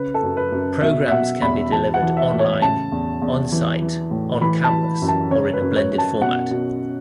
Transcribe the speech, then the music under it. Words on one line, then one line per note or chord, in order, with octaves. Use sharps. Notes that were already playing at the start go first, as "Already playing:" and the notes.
Programs can be delivered online, onsite, on campus or in a blended format.
Already playing: C#3 B4
A4
F#2
B4
F#2
B2 E5
E5
B2 F#5
E2 B5
E3 A5
F#5
E3
E5
A2
C#5
C#3 A5
E2
E2
E3
E3
A2
E3 B5
A5
E3
F#2
A5
C#3 C#5
B4
F#2
C#5
F#2
A5
B2 F#5
B2